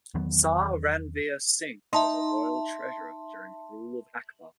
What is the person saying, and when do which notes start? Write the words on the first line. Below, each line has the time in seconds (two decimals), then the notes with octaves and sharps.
Sah Ranveer Singh was a royal treasurer during the rule of Akbar.
0.14 E2 D#3 F#3 B3
1.93 D#4 E5 A5 C6